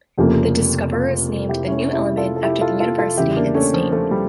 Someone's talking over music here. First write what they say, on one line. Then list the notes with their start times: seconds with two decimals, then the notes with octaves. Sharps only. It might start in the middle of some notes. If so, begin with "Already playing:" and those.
The discoverers named the new element after the university and the state.
0.18 F1 F2 C#3 F3 A#3 E4 G4
0.93 F4 A4
1.49 E4 G4
1.68 C#4 E4
1.93 E4 G4
2.17 F4 A4
2.36 A4
2.43 E4 G4
2.61 F4 A4
2.80 F4 A4
2.99 F4 A4
3.17 E2 C#3 E3 E4 G4
3.36 A#3 D4
3.55 A3 C#4
3.74 F3
3.92 F3 A3
4.11 G3